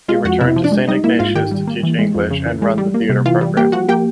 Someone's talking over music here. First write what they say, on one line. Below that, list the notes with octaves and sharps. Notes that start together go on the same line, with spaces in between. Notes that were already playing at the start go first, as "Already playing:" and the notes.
He returned to Saint Ignatius to teach English and run the theatre program.
G#3 F4 F5
F2 F#4 F#5
C3 E4 E5
F3
D4 D5
G#3
G3 D#4 D#5
A#3 E4 E5
G#2 F4 F5
D#3 G4 G5
G3
A#3
E3
G#3
F2
C#3
E3
G#3
G3
A#3
C3
E3 F4 F5
G3
A#3 G4 G5
F3 F#4 F#5
A#3 G4 G5